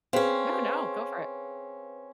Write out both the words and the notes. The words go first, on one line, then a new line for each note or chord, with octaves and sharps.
No, no, go for it.
C4 C#4 G#4 B4 F5